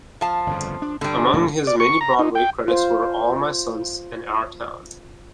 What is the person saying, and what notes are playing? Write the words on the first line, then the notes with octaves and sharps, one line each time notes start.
Among his many Broadway credits were "All My Sons" and "Our Town".
F3 F5 A5
G1 F2 C#3
D4
G2 D3 G3
C#2 A2 F3
D5
C#6
A#5
D#4
G5
F4 C5